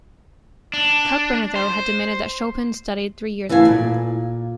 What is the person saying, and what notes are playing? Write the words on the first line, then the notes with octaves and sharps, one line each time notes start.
Kalkbrenner, though, had demanded that Chopin study three years with him.
D4
C5
E3 A3 B4 F5 G#5
A#2